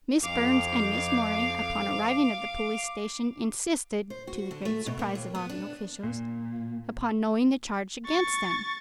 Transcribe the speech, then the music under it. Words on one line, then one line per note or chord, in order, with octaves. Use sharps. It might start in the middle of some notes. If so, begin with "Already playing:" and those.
Miss Burns and Miss Morey upon arriving at the police station, insisted, to the great surprise of all the officials, upon knowing the charge against them.
F2 F5 D6
C5
F#4
D3
A3
B2
A#3
D#2
B3
D4
A#2
C#6 A6